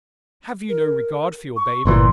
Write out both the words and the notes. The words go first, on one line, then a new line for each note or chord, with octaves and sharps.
Have you no regard for your baby?'
A#4
C#6
G1 A#2 E3 C6